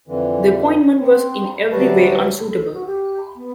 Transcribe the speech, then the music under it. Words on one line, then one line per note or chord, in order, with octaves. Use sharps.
The appointment was in every way unsuitable.
F2 D3 E3
C4
D2 F#3 G3 F#4 B4 A5
A4
F#4
G4
B3